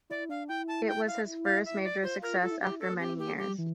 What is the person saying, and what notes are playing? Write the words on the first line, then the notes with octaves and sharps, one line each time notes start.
It was his first major success after many years.
E4 D5
D4 F5
E4 G5
A5
G5
F5
F5
E5
D5
F4 C5
A#4
F4 A4
E4
D4 G4
E4
D4 A4
A#3
C4 G4
A#3 G4
G3 G4
E3